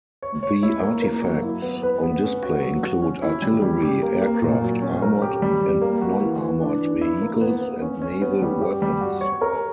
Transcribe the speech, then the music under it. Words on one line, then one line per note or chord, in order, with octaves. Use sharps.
The artifacts on display include artillery, aircraft, armoured and non-armoured vehicles, and naval weapons.
C#5
C#5
E4
A#3
A#3
F#3
E4
B3
B4
B3
C#4
F#4
F#3
F#4
C#4
E4
G3
G3
G4
A#3
A#3
A#2
F#3
C#4
A#4
G4
G3
G3
A#3
F#4
E3
E3
D4
E3
E4
A#3
B3
B3
C#4
C#4
B3
G3
G4
G3
F#4
C#5
A#4